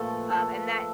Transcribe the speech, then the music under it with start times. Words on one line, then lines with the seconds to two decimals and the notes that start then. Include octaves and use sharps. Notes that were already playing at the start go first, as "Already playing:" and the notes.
um and that
Already playing: A#2 F3 A3 A4 B4
0.30 A4